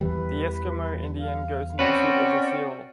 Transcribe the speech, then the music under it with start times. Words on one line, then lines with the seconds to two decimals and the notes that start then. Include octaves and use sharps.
The Eskimo Indian goes in pursuit of the seal.
0.01 E2 E3 G3 B4
1.19 F5
1.79 C4 C#4 F#4 B4 D5 F#5 G5